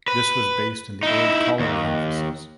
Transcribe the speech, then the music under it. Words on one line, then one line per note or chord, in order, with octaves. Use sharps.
This was based in the Old Colliery Offices.
B4
D#4 E4
D#2